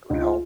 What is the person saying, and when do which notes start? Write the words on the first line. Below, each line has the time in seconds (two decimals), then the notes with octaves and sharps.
it would help.
0.10 C#2 D#4
0.22 F4